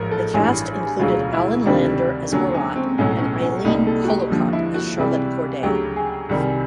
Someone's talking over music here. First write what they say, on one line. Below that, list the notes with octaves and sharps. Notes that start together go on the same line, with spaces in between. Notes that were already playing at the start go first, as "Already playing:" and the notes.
The cast included Alan Lander as Marat and Eileen Colocott as Charlotte Corday.
Already playing: A1 G#2 F3 A#4
A4
A1 G2 E3 G#4
E1 D2 C#3 F#3 F4
E4
D2 C3 D#3 G3 D4
D#2 D3 F#3 C#4
C#4
C4
B1 A2 F#3 C#4
C#4
C#4
C2 A#2 G3 D#4
A4
F#4
G4
D#2 D3 F3
E4
F#4
C#2 C3 E3 G3
D2 C#3 F#3 G4
G#4
C2 C3 D#3 G3